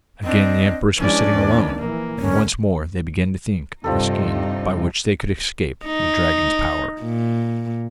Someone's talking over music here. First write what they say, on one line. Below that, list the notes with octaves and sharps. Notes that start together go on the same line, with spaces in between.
Again the empress was sitting alone, and once more they began to think of a scheme by which they could escape the dragon's power.
C4 D4 D#5
E3 F3 G#3 C#4 D4 D5
E2 D#3 A#3
A#1 E3 A#3
G#1 D#2 D3 C#4
G2 C3 F3 G3 D#4 A4
D#4
A#2